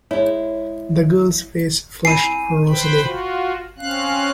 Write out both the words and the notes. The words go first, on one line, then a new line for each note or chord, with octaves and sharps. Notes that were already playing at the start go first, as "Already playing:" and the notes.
The girl's face flushed rosily.
G#3 E4 C#5
C4 E4 G#5 B5 C7 D#7
B4 C5 G5 B5
F4 F#4
C4 C#4 F5 F#6